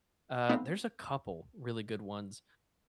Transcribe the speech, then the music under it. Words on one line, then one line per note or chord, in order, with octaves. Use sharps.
uh, there's a couple really good ones.
A3 B3 C4 D#4 B4 F5